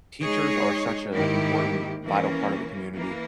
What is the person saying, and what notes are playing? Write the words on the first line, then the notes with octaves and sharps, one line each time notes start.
teachers are such a important, vital part of the community,
G#3 D#4 G#4 C#5
G#2 D#3 A#3 E4 G4
E3 A#3 C#4
E3 A#3